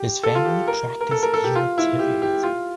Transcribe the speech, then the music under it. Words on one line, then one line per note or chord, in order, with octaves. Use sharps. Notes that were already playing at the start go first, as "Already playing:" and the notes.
His family practiced Unitarianism.
Already playing: G4
A4
F4
G4
A#4
A#4
A4
A#4
A4
G4
F4
E4
G4
G4
F4